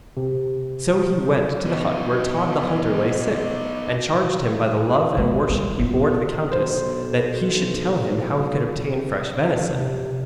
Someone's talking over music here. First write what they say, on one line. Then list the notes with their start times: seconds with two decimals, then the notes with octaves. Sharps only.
So he went to the hut where Tod the hunter lay sick, and charged him by the love and worship he bore to the countess, that he should tell him how he could obtain fresh venison.
0.17 C3
1.66 B3 D#4
5.17 G#3
5.49 G3
5.79 B3 F4
6.52 B1 C5
9.74 C3